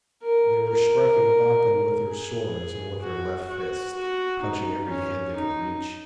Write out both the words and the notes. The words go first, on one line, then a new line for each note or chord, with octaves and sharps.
They were striking about them with their swords and with their left fists, punching every head they could reach.
A#4
A#4
G#4
F#4
F#4
F#4
D#4
C#4
D#4